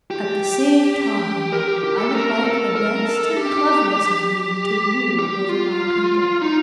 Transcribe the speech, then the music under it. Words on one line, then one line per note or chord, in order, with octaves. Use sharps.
At the same time I would like the best and cleverest of you to rule over my people.
G4
A#4
G4
G4
A4
A#4
A4
A#4
A4
G4
G4
F4
D#4